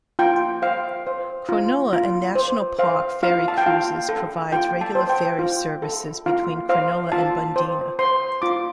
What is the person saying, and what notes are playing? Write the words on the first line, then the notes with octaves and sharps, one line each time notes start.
Cronulla and National Park Ferry Cruises provides regular ferry services between Cronulla and Bundeena.
F4 G5
C5 F5
C5
F4
F4
C5
C5 F5
F4 F5
A5
G5
F4 F5
A4
F4 G5
A5
C5
G5
F4
A4
F4 F5
C5 F5
F4 A5
C5
C5 C6
F4 D6